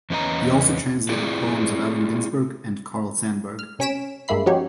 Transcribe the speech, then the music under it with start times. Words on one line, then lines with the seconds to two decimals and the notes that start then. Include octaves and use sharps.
He also translated poems of Allen Ginsberg and Carl Sandburg.
0.10 E2 B3 C#4 B4 D#5 A#5
1.09 C4 E4 F4 G#4 D5 G5
3.59 F6
3.79 C3 C#4 G#5 B6 D7 E7
4.28 G2 G#3 A#3 E5 B5 C7
4.46 F3 C#4 D#4 F#4 G4 C#5